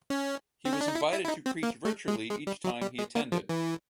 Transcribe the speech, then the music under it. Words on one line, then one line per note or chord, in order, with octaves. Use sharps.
He was invited to preach virtually each time he attended.
C#4
C4
C#4
D4
D#4
E4
E4
E4
D#4
C4
A#3
A3
G#3
G#3
G3
F#3
G3
G#3
A#3
F3
E3